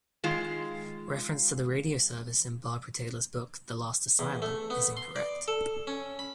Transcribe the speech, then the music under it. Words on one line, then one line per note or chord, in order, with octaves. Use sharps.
Reference to the radio service in Barbara Taylor's book The Last Asylum is incorrect.
D#3 G#3 F4
E2
A3
B3
C6
D5
A4
C#4
B5